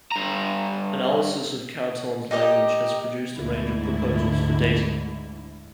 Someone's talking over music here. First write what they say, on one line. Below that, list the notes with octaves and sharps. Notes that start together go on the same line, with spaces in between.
Analysis of Chariton's language has produced a range of proposals for dating.
G2 A#5
D#4 G4 A#4 D#5
D2 G#2 D3 E4